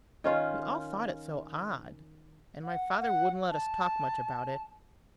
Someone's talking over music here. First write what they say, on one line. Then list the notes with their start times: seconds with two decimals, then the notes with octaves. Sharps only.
We all thought it so odd: and my father wouldn't let us talk much about it.
0.24 D#3 C#4 F4
2.64 F#5
3.00 F#5
3.49 A5